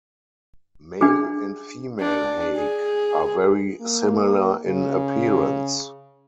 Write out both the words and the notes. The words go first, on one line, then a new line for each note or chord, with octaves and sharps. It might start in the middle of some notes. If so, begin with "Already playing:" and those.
Male and female hake are very similar in appearance.
D4 G#4
D4
G#4
A#3
C#3